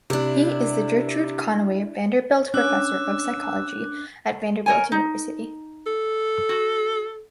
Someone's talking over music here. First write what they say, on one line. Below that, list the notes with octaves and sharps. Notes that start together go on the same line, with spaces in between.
He is the Gertrude Conaway Vanderbilt Professor of Psychology at Vanderbilt University.
C3 D4 E4
C#4 D4 D6 E6 F#6
A#4 C#5 G#5
D#4
A4
F#4